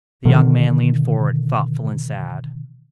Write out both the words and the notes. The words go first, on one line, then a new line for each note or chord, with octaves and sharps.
The young man leaned forward, thoughtful and sad.
B2 D3 D#3